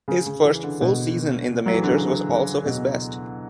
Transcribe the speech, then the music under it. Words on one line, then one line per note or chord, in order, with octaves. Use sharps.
His first full season in the majors was also his best.
C#3
C#3
E3
D3
B2
F#3
E3
D3
C#3
C#3
B2